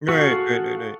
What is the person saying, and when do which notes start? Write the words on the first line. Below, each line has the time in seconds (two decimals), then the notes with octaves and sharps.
Right, right, right, right.
0.09 F#4 G#4 A4 F5 F#5